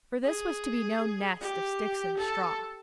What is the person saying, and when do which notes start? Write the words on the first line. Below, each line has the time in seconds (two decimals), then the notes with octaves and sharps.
For this was to be no nest of sticks and straw.
0.25 G#4
1.41 G4
2.18 A4